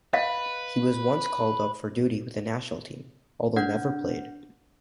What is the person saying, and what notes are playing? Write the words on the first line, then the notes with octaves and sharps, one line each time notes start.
He was once called up for duty with the national team, although never played.
B4 D#5 F5
D4 F#5 F6 G6